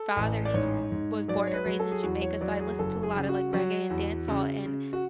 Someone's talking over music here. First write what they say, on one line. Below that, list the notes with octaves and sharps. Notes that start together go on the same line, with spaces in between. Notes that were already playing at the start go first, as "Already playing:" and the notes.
father, he's f was born and raised in Jamaica, so I listened to a lot of like reggae and dancehall, and
Already playing: A4
A1
D5
G#2 C#5
G#2
F#3 D5
C#5
B4
F#3
A4
G#4
E2 F#4
C#5
F#3 D5
G#4
F#1 A4
G#4
C#3
F#4
F#3 F#4
E2
C#3
C#3
F#4